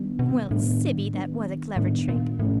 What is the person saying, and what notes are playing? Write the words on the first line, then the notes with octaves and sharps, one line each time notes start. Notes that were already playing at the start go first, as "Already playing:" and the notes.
Well, Sibby, that was a clever trick!
Already playing: D#3 G3 B3 D4
B2
A2 D#3 G3 B3 D4
D#3 G3 B3 D4
A2 D#3 G3 B3 D4
A#2
A2 C3 F3 A3 C#4